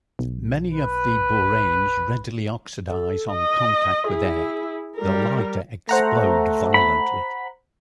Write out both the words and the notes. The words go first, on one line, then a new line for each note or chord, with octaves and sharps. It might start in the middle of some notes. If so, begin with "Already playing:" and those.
Many of the boranes readily oxidise on contact with air, the lighter explode violently.
B1
B4
A4
D#5
E4 G#4
G3 A#4
A3 C5 F#5 A#5
B5